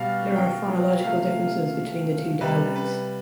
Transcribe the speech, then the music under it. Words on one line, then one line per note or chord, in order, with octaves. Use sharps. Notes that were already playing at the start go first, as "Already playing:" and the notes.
There are phonological differences between the two dialects.
Already playing: B2 G3 F5
G5
C3 F3 A3 F5
C3 G3 B4
B4